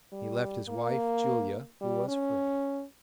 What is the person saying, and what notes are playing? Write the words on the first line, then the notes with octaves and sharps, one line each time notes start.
He left his wife, Julia, who was free.
G3
A#3
G3
C#4